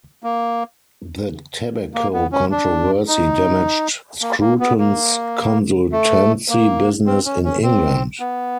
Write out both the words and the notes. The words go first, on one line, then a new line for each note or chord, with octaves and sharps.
The tobacco controversy damaged Scruton's consultancy business in England.
A#3
A#3
B3
C#4
D4
D#4
A#3
A#3
B3
A#3
A3
A#3
C4
C#4
C#4
C4
B3